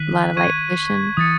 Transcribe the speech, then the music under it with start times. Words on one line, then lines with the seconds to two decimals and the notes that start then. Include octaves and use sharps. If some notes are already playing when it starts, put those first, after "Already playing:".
Lotta light pollution?
Already playing: D#3 F#6 B6 D#7 F#7
0.37 C#6 G#6 D#7
1.17 E3 D#6 A6 C#7